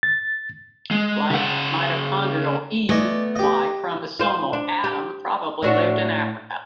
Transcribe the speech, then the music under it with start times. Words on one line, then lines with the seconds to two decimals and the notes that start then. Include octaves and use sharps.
Like mitochondrial "Eve", Y-chromosomal "Adam" probably lived in Africa.
0.03 A6
0.91 G#3
1.30 C#3 F#5
2.89 A3 B3 D5 D#5 G#5
3.36 G4 D#5
4.20 F4 C5
4.53 D4
4.84 G4
5.63 A2 D4 F#4